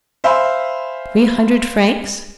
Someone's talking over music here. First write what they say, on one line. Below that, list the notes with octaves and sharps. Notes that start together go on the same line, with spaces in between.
"Three hundred francs?"
C5 E5 F5 G#5 B5 C6